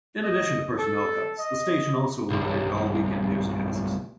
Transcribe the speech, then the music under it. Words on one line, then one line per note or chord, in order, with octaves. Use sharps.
In addition to personnel cuts, the station also eliminated all weekend newscasts.
D#5
A4
D#5
B1 G2